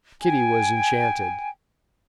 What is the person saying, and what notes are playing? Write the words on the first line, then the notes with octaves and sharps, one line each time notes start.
Kitty was enchanted.
G5 G#5